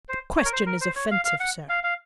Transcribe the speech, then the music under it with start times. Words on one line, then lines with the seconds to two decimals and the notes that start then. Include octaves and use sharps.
"The question is offensive, sir."
0.09 C5
0.37 C#5
0.45 A#4
0.53 C5
0.66 A#4
0.81 C5
0.96 C#5
1.11 F5
1.25 F5
1.40 F#5
1.69 F5
1.84 F5